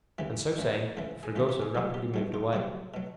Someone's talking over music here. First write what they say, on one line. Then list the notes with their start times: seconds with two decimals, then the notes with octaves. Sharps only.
And so saying Fragoso rapidly moved away.
0.18 C#2 C#3 E3 G4
0.58 C#2 C#3 E3
0.97 C#2 C#3 E3
1.23 G#4
1.36 C#2 C#3 E3 G4
1.49 G4
1.62 G#4
1.75 C2 B2 F#3 G#4
1.94 G4
2.14 C2 B2 F#3
2.34 F4
2.53 C2 B2 F#3 F#4
2.94 B2 F#3